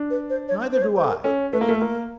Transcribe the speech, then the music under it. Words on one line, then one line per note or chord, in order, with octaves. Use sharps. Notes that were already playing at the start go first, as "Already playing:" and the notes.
"Neither do I," said Bince.
Already playing: D4
B4
C5
C#5
C5
C#5
C5
A4
A#4
C#4 A4
A3 B4
A#3
A3 A#4
A4
A#3 A#4